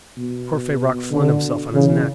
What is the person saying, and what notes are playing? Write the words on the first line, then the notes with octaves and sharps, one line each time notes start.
Courfeyrac flung himself on his neck.
B2
D3
C#3 E3